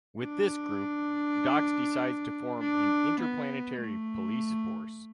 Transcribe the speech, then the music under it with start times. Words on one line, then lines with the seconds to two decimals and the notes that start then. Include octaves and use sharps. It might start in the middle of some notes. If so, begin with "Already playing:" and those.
With this group, Dox decides to form an interplanetary police force.
0.22 D4
2.60 D4
3.21 B3
3.80 A3